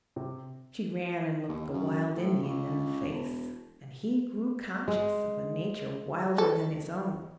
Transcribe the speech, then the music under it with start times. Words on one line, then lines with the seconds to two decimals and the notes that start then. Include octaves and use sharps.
She ran and looked the wild Indian in the face, and he grew conscious of a nature wilder than his own.
0.16 C3
1.49 D#2
1.74 F#2
2.16 A2
2.43 C#2
3.09 E1
4.88 G#3
6.38 A4